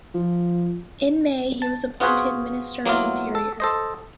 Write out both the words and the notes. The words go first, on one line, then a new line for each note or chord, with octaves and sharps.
In May he was appointed Minister of Interior.
F3
A5
B3 F4 F#4 G#4 B4 C5
F#3 A#3 B3 E4 F4
A4
A4 C5 D#5